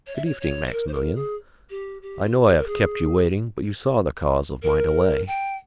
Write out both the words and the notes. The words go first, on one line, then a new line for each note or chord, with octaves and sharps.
"Good-evening, Maximilian; I know I have kept you waiting, but you saw the cause of my delay."
C#5
E5
C#5
C#5
C5
A#4
C5
A#4
G#4
G4
G4
F4
G4
A#4
G#4
A#4
G5